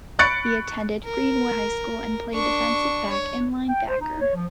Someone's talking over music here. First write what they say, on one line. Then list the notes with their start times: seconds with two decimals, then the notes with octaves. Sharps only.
He attended Greenwood High School and played defensive back and linebacker.
0.19 B5 C#6 F#6 A6 C#7 D7
1.05 A#4
2.34 D4 C#6
3.10 C#5
3.68 G5
3.88 C5
4.00 D#4
4.20 C#5
4.34 F3